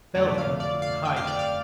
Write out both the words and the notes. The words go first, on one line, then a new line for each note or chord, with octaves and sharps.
Fell him and hide him.
F2 D3 A3 D5
F5
D5
F5
G5
F5
D5
F5